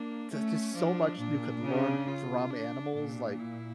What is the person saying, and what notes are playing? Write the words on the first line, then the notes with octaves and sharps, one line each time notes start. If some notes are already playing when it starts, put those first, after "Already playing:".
there's, just, so much you could learn from animals like
Already playing: A#3 D4
A3 C#4
F3 D4
A#2 D4
C#3
F4
D4
A#2 D4
E4